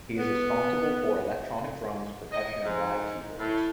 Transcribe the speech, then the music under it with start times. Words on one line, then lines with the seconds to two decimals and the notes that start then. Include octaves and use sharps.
He is responsible for electronic drums, percussion and live keyboards.
0.18 B3
2.32 D#5
2.65 G#2
3.39 A2